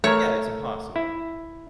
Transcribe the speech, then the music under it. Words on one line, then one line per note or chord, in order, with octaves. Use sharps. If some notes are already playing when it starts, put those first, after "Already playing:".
Yeah, it's impossible.
A3 A#4 C#5
E4